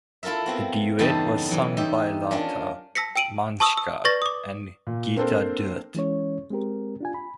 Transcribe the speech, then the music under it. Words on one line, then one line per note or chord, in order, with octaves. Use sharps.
The duet was sung by Lata Mangeshkar and Geeta Dutt.
E4 F4 A4 A#4 E5
B3 C4 F#4
E2 G2 C#3 B3 D#4 A4
E3 F#3
E2 D#4 G4 E5 G5
C#4 D4 F4 A#4
A5 E6 A#6 B6 C#7
G5 E6 D7 D#7 F#7
A5 C#6 D#6 E6
E6
B4 D5 C#6 A6 A#6
D6 D#6
A#2
A#3 C4 D4 A4 A#4 C5
E3 G#3 C#4 C#5
G#3 C4 G4 A#4
D4 F4 G#5
B5